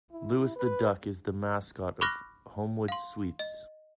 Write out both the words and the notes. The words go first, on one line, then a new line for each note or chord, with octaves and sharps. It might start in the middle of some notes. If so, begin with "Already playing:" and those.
Lewis the Duck is the mascot of Homewood Suites.
E4
B4
B5 C#6 D6 F6 F#6 A#6
F5 C6
D#5